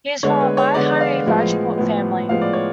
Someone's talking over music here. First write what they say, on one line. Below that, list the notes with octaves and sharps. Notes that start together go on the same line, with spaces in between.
He is from a Bihari Rajput family.
D3 G#3 B3 C#5
B4
C#5
D3 G#3 B3 D5
F5
A2 F3 G#3 B3
A2 F3 G#3 B3
A2 F3 G#3 B3 F5
D5
C#5